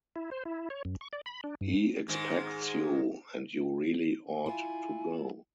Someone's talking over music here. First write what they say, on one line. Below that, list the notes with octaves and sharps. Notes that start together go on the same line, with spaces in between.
He expects you, and you really ought to go.
E4
C5
E4
C#5
F#2
C#6
D5
B5
D4
G2
G#2 D#3 G#3
E4 F4 G#5